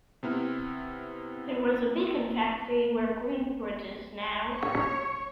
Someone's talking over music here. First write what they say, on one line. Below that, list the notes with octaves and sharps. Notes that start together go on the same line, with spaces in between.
There was a bacon factory where Greenbridge is now.
C3 B3 E4 F6
C#5